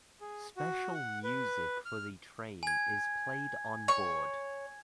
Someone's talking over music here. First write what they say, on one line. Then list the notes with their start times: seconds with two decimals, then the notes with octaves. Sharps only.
Special music for the train is played on board.
0.21 G#4
0.57 F#4
0.94 F#5
1.23 B4
1.85 F6
2.63 G#5 G#6
3.88 C#5 C#6